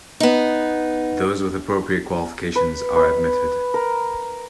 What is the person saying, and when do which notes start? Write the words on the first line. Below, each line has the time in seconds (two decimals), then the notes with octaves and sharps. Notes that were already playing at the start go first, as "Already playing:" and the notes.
Those with appropriate qualifications are admitted.
0.20 B3 D#4
2.55 B4
2.96 B4
3.74 A#4